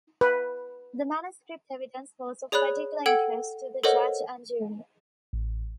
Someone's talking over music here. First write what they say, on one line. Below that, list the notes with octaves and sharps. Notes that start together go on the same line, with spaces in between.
The manuscript evidence was of particular interest to the judge and jury.
B4
G#4 C#5 D5 B5 F#6
A4 F#5 G5 E6 G#6
A4 A#4 C5 C#5 D#5 F#5
A1